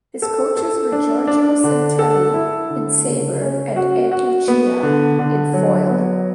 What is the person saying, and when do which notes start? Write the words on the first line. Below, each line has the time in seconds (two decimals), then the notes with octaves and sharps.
His coaches were Giorgio Santelli in sabre, and Ed Lucia in foil.
0.22 A4
0.57 A4
0.92 D4
1.28 D4
1.64 D3
1.99 A4
2.34 E4
2.70 D3
3.06 C#3
3.42 C#4
3.76 F#4
4.12 F#4
4.48 B3
4.83 D3
5.19 D3
5.54 F#3
5.89 B3